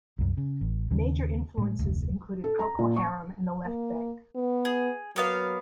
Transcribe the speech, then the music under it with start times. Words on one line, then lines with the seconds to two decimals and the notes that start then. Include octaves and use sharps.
Major influences included Procol Harum and The Left Banke.
0.18 C2 F#2
0.37 C#3
0.61 A1
0.91 D#2 C#3
1.58 A2 G#3
1.79 F1 D2
2.44 A4
2.59 A#5
2.79 A#2
2.96 C#6
3.65 A#3
4.36 B3
4.65 G#4
5.16 F#3 A#3 B3 F5